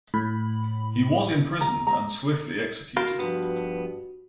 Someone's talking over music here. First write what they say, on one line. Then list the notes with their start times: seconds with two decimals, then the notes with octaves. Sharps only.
He was imprisoned and swiftly executed.
0.14 A2 B5
1.61 A#5
1.87 A#5
2.97 F4 F#4 A#4 F5 B5
3.19 G2 F3 B3